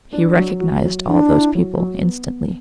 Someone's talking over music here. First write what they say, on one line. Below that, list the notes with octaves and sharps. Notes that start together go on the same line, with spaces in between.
He recognized all those people instantly.
D4
F#3
F#4
F#3
D4 E4
E4
F#3
F#3
B3
B3